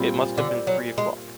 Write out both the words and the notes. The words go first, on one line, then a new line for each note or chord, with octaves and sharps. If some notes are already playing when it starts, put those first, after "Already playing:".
It must have been three o’clock.
Already playing: A#2 G3 C4 F4
D3
F#3
G#3